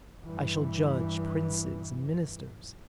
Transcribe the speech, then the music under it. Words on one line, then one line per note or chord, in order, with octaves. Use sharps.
I shall judge princes and ministers.
G2 E3